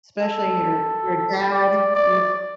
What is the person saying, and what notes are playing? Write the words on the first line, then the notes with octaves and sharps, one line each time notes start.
especially your your dad, your
A4
D5
D5